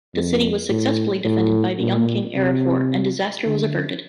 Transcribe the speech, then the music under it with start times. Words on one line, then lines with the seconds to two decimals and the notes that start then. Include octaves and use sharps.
The city was successfully defended by the young King Araphor, and disaster was averted.
0.15 F2
0.70 A2
1.25 A2
1.80 A#2
2.36 C3
3.46 D3